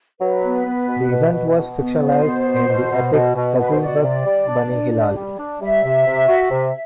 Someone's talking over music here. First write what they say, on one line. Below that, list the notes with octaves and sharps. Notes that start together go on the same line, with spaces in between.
The event was fictionalized in the epic "Taghribat Bani Hilal".
F#3 B4
B3
B3
B2
B2
B2
B2
B3
B2 C5
B3
B2
B2
B2
B2
B2
B2 B4
C5
F#4 D5
C3
G3
D4
D4
D4
G3
D4
G3 E5
C3
C3
F#4
C3